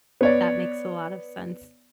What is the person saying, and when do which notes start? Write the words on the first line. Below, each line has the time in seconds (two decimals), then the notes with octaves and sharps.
That makes a lot of sense.
0.21 B3 C#5 D5